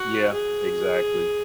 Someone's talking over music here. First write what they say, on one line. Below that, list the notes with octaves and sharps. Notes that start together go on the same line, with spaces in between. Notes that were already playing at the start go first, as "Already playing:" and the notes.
Yeah, exactly.
Already playing: F#4
G#4